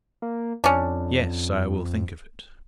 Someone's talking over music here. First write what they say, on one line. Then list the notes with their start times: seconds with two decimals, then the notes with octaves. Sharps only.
"Yes; I will think of it."
0.22 A#3
0.64 F2 C#4 D4